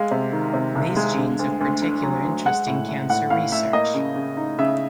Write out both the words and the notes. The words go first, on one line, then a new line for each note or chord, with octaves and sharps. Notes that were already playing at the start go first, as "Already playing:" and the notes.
These genes of particular interest in cancer research.
Already playing: G#3 F5
C3
D#3
C3
C2
G#3
D3
D2
D2
D3
F#3
D2
G#3 F#5
A2
A2
A2 F#5
A2 F5
A2 E5
A#3 D#5
C#3
C#3
D#4
C#3 E5